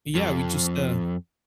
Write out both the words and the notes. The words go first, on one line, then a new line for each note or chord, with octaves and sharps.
Yeah, we just, uh
F2